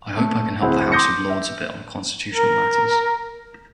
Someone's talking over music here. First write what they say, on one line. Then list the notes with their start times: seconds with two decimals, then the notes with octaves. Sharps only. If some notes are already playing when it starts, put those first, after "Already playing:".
I hope I can help the House of Lords a bit on constitutional matters.
0.17 A3
0.62 D1 C4 E4 G#4 F#5
0.92 C6 D6 D#6 G6 A#6 C#7
1.30 E5
2.33 A#4